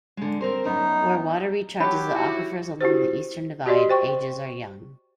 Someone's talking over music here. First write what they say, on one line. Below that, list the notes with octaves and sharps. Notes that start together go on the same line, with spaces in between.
Where water recharges the aquifers along the Eastern Divide, ages are young.
D3 G#3
C4 A#4 C5
F#2 B3 D#4
F#3 D#4 G4 C#5 B5
E4 F#4
E4 F#4 G4 C5
F#4 G4 D5 D#5 C6
C5 G5 C#6